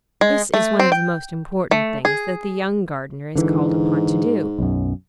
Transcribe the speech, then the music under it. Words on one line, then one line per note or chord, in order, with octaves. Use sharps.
This is one of the most important things that the young gardener is called upon to do.
G#3
A3
C4
G5
A3
G#4
G#2 D3 E3
B1 F#2